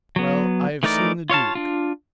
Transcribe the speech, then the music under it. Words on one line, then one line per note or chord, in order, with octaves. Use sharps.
"Well, I have seen the duke."
F#3 B3
E3 A3 D#4 A#4 D5
F4 C#5 F5 A5
D4 F4